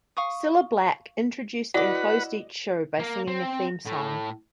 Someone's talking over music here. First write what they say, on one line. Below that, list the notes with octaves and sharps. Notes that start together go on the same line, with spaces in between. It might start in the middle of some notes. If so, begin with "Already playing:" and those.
Cilla Black introduced and closed each show by singing a theme song.
F5 C#6 D#6
E4 F#4 B4 D5 D#5 F#5 D6
A#3 A#4
C4
A2